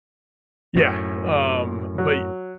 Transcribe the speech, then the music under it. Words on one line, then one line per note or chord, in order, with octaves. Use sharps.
Yeah, um, but y
F#2 A2
F#3